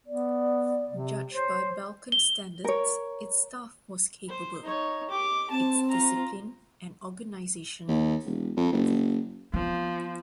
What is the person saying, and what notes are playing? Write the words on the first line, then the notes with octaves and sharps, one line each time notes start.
Judged by Balkan standards, its staff was capable, its discipline and organization goo.
B3 D5
C3
C5 C#5
G7
A#4 C#5
C5
D#4 C#5
G4 D6
C4 A5
F4 A#5
D#2
E1
F2
F#1
F3 B3 C4